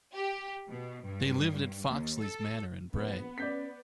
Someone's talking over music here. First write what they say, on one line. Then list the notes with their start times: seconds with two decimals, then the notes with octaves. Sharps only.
They lived at Foxley's Manor in Bray.
0.15 G4
0.69 B2
1.04 G2
1.88 D#2
2.20 A4
2.93 A#1 B3
3.38 C#4 D5 G6 B6